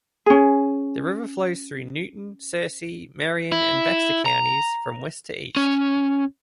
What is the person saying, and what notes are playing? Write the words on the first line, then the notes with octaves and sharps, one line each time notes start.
The river flows through Newton, Searcy, Marion, and Baxter Counties, from west to east.
C#4 G#4
E4
A#5
C#4